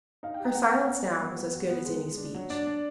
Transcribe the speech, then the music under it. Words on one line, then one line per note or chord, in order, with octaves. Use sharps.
Her silence now was as good as any speech.
D#4 F5
G5
G4 A#5
B3 F#5
B3
B3
G3
B3
B3
F#4
B3
G#3
G#3
D4
F#3
D4 D5
D4